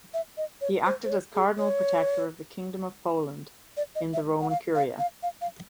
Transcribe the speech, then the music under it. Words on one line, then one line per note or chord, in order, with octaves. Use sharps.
He acted as Cardinal Protector of the Kingdom of Poland in the Roman Curia.
E5
D#5
C#5
C5
C5
C#5
G#4
C#5
D5
D#5
E5
F#5
F5
F5
F5
F5
F5